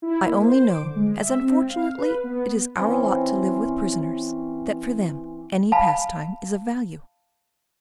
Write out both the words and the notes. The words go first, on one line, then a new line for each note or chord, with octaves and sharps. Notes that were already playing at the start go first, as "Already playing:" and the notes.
I only know--as unfortunately it is our lot to live with prisoners--that for them any pastime is of value.
E4
A#3
C5
D6
D3
G#3
E5
C4
F5
B4
B3
E3 C4 C#4
F5 A5 B5